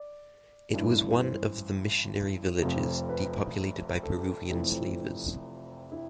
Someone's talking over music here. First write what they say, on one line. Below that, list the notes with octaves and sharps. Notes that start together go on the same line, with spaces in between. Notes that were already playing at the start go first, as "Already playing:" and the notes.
It was one of the missionary villages depopulated by Peruvian slavers.
Already playing: D5
A1 G2 E3
B4
C5
F1 F2 C3 F3
B4
A4
F1 F2 C3 E3
E4